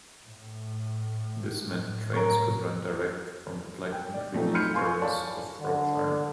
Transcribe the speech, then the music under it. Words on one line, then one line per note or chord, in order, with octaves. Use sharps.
This meant trains could run direct from the Black Country to areas of Shropshire.
A2
A2 C3 A#4 C#5
G5
D5
F3 F#3 A3 C4 D#4
B5 C6 F6 G6 C#7
F5 G#5 C6 C#6
C#5 D5 F5 A5 B5 C#6
D3